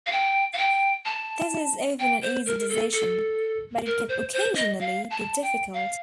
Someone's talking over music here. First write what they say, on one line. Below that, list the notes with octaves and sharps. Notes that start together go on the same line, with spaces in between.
This is often an easy decision, but it can occasionally be difficult.
F5
G5
F5
G5
A5
G5
C5
A#4
A#4
A4
A4
A#4
C5
C5
D#5
F5
A5
G5
F5